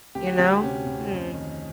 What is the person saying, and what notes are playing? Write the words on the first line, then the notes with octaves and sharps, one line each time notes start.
you know? Mm.
D2 G4
F#4
D2 G4
C3 C#4
D2
F2
D#3